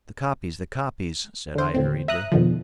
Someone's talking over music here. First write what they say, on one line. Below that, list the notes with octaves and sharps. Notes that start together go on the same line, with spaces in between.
"The copies, the copies," said I hurriedly.
D3 C5
D2 A2 C4
E5 A#5 D#6 F#6
F2 B2 D3 D#3 F3